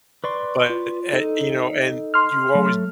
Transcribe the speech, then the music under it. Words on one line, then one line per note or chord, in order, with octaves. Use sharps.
but at you know, and you always,
B4 D5 C6 C#6
F4
D#4 A4
C6 F6
F#3 A3